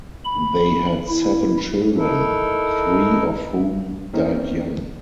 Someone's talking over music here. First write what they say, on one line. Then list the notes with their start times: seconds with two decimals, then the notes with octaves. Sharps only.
They had seven children, three of whom died young.
0.25 B5
1.08 E4
1.96 D#4 E4 A4 A#4
4.13 E3 A#3 C4 C#4 D#4